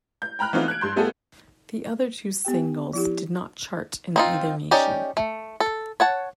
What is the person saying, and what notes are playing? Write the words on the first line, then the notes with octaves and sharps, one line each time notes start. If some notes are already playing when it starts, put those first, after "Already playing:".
The other two singles did not chart in either nation.
G6
G5 A#5 B5 F6 F#6
E3 A3 B3 C4 D#4 F4
F#6 G#6 D7
G2 C6 G6
G3 A3 B3 F4 G#4 A4
B3 G4 G5
F3 E4 G4
C4 D#4 F4
C#4 D#4 G4 D5
A3
A4
C#5 F#5 A5